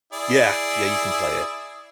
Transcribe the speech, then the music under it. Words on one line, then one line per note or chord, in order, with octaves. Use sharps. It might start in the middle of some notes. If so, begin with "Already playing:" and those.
Yeah, yeah, you can play it.
E4 G#4 D5